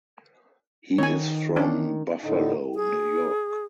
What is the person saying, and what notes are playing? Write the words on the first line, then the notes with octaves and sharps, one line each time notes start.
He is from Buffalo, New York.
D#3 C#5 G#5
C#4 D4
A2 D3 D#4
G#4